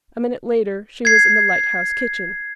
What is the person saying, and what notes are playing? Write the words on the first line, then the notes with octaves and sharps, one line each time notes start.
A minute later she was in the lighthouse kitchen.
G#6 C7